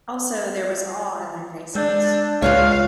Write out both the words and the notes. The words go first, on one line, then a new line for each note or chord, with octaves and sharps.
Also, there was awe in their faces.
G#3 D4 E6 G6
C#2 G#3 F4 B4 C#5 D5 F5